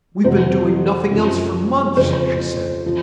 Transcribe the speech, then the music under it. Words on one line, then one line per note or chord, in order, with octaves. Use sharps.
We've been doing nothing else for months,' she said.
F2 C3 F#3 C5
F#2 F3
F2 C#3 F3 C5
F3